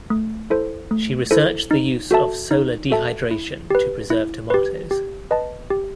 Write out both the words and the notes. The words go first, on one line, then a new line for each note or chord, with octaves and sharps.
She researched the use of solar dehydration to preserve tomatoes.
A3
E4 A4 C5
A3
E4 A4 C5
D#4
F#4 A4 E5 A5
D#4
F#4 A4 E5 A5
E4
G4 B4
E4
G4 B4
G4
B4 D#5 A5
G4